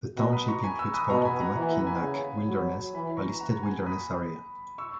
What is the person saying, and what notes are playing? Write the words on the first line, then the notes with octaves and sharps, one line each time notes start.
The township includes part of the Mackinac Wilderness, a listed Wilderness Area.
B2 F#5 A#5
B5 D#6
A#5 C#6
G#5 B5
C#6 E6
B5 D#6
B2 A#5 C#6
G#5 B5
F#5 A#5
E3
F#5 A#5
G#5 B5
C#3
F#3
E3 G#5 B5
A#5 C#6
F#5 A#5
G#5
B5 D#6
C#6 E6